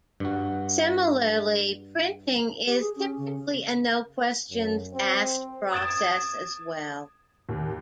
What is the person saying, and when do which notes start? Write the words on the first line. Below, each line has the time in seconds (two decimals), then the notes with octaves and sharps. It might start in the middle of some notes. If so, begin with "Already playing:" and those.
Similarly, printing is typically a 'no questions asked' process, as well.
0.20 G2 F#4
2.67 G4
2.79 G#4
2.96 C#4
3.17 C#3
4.51 F#2
4.94 C4
5.72 D#6 G#6 A6 D7 E7
7.49 D#2